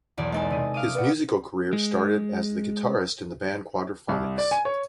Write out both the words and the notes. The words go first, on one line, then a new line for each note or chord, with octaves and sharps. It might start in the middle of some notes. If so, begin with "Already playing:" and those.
His musical career started of as the guitarist in the band Quadraphonics.
B1 E2 D5
G#3 D#4 A4 D5 G#5 A5
C3 D#6
F5 D6 D#6
B4 D5 F#5
G#3
C2
D5
G#5
C#5